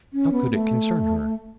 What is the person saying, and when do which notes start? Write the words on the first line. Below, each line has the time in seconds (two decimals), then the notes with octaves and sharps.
How could it concern her?
0.13 C#4
0.32 B3
0.53 A3